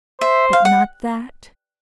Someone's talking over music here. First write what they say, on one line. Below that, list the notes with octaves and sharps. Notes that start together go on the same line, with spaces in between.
"But not that?"
C5 E5
F5
F#5